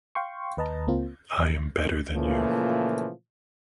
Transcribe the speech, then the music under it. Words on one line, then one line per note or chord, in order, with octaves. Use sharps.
I am better than you.
F5 G5 C6 C#6
D#2 B4 D#5 A5 A#5
C#2 A#3 C4 F4
A#2 C#3 E3 F3 A3 A#3